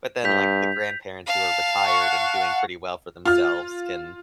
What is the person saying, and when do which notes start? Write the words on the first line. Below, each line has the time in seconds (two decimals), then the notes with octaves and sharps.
But then, like, the grandparents who are retired and doing pretty well for themselves can
0.24 G2 G6 B6 F7
1.27 F5 A5
1.80 F#5 C#6
3.25 F4 F6